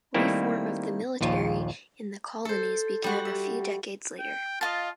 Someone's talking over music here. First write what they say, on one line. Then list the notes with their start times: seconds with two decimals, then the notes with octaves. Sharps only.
Reform of the military in the colonies began a few decades later.
0.14 D#3 G3 A3 A#3 C4 E4
1.21 A#1 D#2 F4
2.45 A4 C5
3.04 G3 F#4
3.25 E5
4.20 G5
4.61 F4 D#5 F5 A5